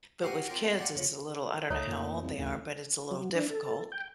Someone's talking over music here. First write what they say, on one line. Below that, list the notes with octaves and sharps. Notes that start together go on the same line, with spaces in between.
but with kids it's a little I don't know how old they are, but it's a little difficult,
F#4 G4 F5 F#5 G#5
C4 F4 G4 A#4
B2 G#3 A3 C4
D#4 F4 G4 D5 F#5 A5
E2 A2 C#3 F3
C#2 A3 D#4 C#5
F2 A#2
C2
A1 D2
F#3
D4
A4
G5